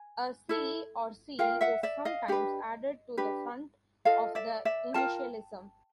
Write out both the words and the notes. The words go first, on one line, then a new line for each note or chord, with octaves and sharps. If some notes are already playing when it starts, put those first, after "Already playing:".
A "c" or "C" is sometimes added to the front of the initialism.
Already playing: G#5
E4 A4
F4 A#4 F5 G5
E5 F#5
D5 E5
D#5 F5
D4 G4 B4
D4 G4 B4
F4 A4 D#5 F5
D5 E5
D5 E5
F4 A#4 G5 A5